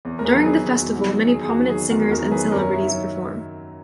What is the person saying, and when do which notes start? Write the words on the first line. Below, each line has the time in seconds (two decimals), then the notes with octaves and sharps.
During the festival, many prominent singers and celebrities perform.
0.05 E2
0.19 A#4
0.25 G#4 B4
0.35 D#3 F#3
0.46 G#4
0.66 E2 G#4
0.76 F#4
0.95 D#3 F#3 F#4
1.28 E2 G#4
1.44 G#4
1.49 F#4
1.60 D#3 F#3
1.69 G#4
1.90 E2 F#4 A#4
2.10 F#4 A#4
2.21 D#3 F#3
2.31 G#4 B4
2.52 F#2 A#4 C#5
2.73 C#5 E5
2.83 D#3 F#3